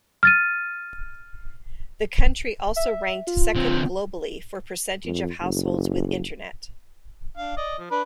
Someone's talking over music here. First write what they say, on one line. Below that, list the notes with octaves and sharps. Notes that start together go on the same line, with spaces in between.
The country also ranked second globally for percentage of households with internet.
F6 A6 D#7
E5
F4
D3 C4
F2
F#1
D4 F5
D5 D#5
F3
D4 B4